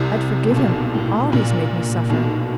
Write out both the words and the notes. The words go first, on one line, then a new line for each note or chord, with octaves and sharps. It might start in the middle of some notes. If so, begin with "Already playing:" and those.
I'd forgive him all he's made me suffer.
Already playing: C2 C3
A#2
B1 B2
A2
A#1 A#2
B1 B2